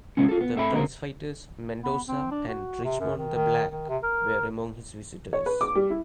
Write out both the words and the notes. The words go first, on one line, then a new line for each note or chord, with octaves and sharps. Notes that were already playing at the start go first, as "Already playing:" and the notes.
The prize-fighters Mendoza and Richmond the Black were among his visitors.
C3 G#3 B3 C#4
F4 A4
B3
A2 C4 A4 E5 F#5 B5
C#2 D3 A#3 C4 A#4
B3
C4
D4
F#4
C3
F#2
D#3
D#3
D#3
C3
A#4
C#5
B4
D6
G3
E4